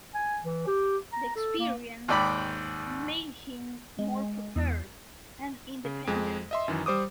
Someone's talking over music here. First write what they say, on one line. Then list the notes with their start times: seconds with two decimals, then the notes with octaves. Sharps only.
The experience made him more prepared and independent.
0.15 G#5
0.44 E3
0.67 G4
1.13 A#5
1.36 A4
1.59 A#3
2.08 D#2 G#2 D5 G5 B5
3.99 G#3
4.56 E2
5.85 C#3
6.07 F2 G#3
6.51 D#5 E5 C6
6.68 F#2 D#3 E3
6.86 G3 C5 D6 D#6